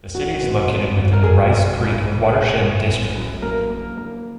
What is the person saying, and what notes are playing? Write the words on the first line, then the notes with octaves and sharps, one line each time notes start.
The City is located within the Rice Creek Watershed District.
F#3 F#4
B3
G#1
F#3
A#4
G#2 G#4
G#2
G#2
G#2
B3 G#4
G#3
B3
F#2
A#3 A#4
A#3
A#3